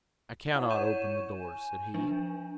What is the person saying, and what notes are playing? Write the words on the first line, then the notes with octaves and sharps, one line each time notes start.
"I cannot open the door," said he.
E4 C#5 F#5
G6 D#7 E7
G#5
F3 D4